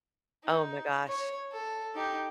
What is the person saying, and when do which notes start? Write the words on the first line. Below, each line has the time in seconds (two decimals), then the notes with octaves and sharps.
Oh my gosh.
0.44 D#4
1.08 C#5
1.52 A4
1.94 D#4 G4